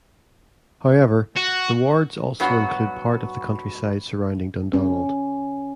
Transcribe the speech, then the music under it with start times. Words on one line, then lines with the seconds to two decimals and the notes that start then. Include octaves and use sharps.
However, the wards also include part of the countryside surrounding Dundonald.
1.36 F#4
2.40 G2 F#3 B3 F#4
4.73 C#4